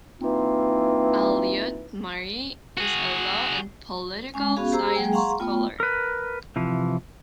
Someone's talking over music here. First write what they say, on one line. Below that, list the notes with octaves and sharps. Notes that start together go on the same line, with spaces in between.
Alliot-Marie is a law and political science scholar.
E3 A#3 C4 D#4 F4
F#4 G#4
G#3 C#4 G#5
B3 C#4 F#4 G#4 F5
G4 G#4 C5 A#5 E6
F#3 G#3 A#3 G#4 G5 G#5
G#4 F5 F#5 A#5 C6 C#6
A3 B3 F4 G5
A#4 B4
C3 E3 F3